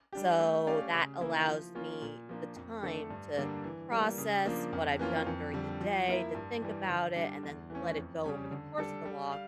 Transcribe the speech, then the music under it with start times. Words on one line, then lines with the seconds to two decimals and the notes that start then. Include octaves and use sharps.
so that allows me the time to process what I've done during the day, to think about it, and then let it go over the course of the walk
0.13 G3 D4 G4
0.40 A3
0.67 C#4 G4 D5 F5
0.94 C#3
1.21 E3 A#3 E4
1.48 F3
1.75 A#3 C#4 F4
2.02 A#2
2.29 F3 A#3 D4
2.56 F2
2.83 D3 A3 D4 A4
3.10 G2
3.38 D3 G3 A#3 D4
3.64 E3
3.91 G3 A#3
4.18 C#3
4.45 F3 A#3 D4
4.73 F2
4.99 E3 A#3 C#4 F4
5.26 F2
5.54 D3 G3
5.81 F3
6.08 A#3 E4 A#4 E5
6.35 G2
6.62 E3 G3
6.89 D3
7.16 G3 D4
7.43 E2
7.70 E3 A3 C#4
7.97 F2
8.24 C#3 G3 C#4
8.51 D3
8.78 G3 D4 A4
9.05 G3
9.32 F5